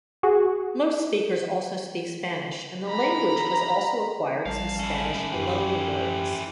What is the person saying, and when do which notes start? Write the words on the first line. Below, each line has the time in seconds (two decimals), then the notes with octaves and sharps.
Most speakers also speak Spanish, and the language has also acquired some Spanish loanwords.
0.23 F#4 G#4
2.87 A#5 B5
4.45 A1 G3 F5 A5
4.79 C#4 E4
5.32 F#2 G4 G5